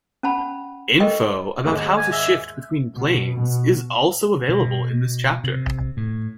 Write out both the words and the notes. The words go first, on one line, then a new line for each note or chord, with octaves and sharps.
Info about how to shift between planes is also available in this chapter.
C#4 F#5 A5 B5
A4 A#4 D#5 G5 C#6
D#2 G#2
G#5
E5
B2
B2
B2
C3
A2